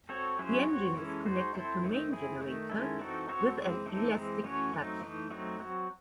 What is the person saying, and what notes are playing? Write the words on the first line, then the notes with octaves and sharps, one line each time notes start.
The engine is connected to main generator with an elastic clutch.
C4 F#4 A4 C#5
F#3 C#4 E4 G#4 C5
C4 F#4 C#5
E3 G#3 C#4 E4 A4
G#3 D#4 F#4 C5
C4 E4 A4 C5
D#3 A3 C4 D#4
C4 E4 G#4
D#3 A3 D#4
D#3 G#3 C#4 E4 A4
E3 C4 D#4 F#4 A4
C4 F#4 A4 C#5
E3 G#3 C4
E3 C4 D#4 A4
E3 G#3 C4
E3 A3 C#4 F#4 C#5
F#3 A3 C4 D#4
E3 A3 D#4
F#3 A3 C4 D#4
F#3 C4 F#4